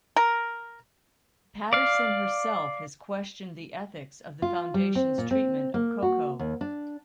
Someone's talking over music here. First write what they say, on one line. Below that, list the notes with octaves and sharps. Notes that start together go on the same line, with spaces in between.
Patterson herself has questioned the ethics of the Foundation's treatment of Koko.
A#4
D5 F5
F4
G3
C4
A#2
C4
A#3
F#4
D#2
D4